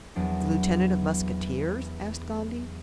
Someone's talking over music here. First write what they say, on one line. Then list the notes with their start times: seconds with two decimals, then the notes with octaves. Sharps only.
"The lieutenant of musketeers?" asked Gondy.
0.16 E2 F#3 D4